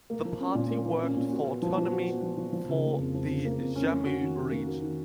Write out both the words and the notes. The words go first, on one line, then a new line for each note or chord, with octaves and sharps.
The party worked for autonomy for the Jammu region.
A#3
F3
C#4
A#2
A#3
F3
C#4
A#2
F#4
B3
F3
F3
F#4
B3
F3
F3
F3
C#3
A#3
F2
F3
C#3
A#3
F2
C#4
A#3
F#4
D#3
C#4
A#3
F#4
D#3